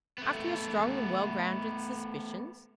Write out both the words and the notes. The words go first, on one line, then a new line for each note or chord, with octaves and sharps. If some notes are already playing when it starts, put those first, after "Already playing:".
"After your strong and well-grounded suspicions?"
A3 B3